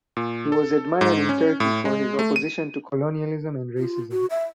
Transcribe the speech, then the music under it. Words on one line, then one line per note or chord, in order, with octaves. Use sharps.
He was admired in Turkey for his opposition to colonialism and racism.
A#2
A4
G#2
C#4
A2
G#3
A3
D#7
F4
F#4
E5